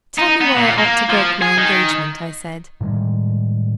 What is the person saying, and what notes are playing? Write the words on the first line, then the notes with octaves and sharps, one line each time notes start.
"Tell me why I ought to break my engagement," I said.
D#4
B3
A#2
A#3
F3
G#4
D#3
A2 D#3 G3 G#3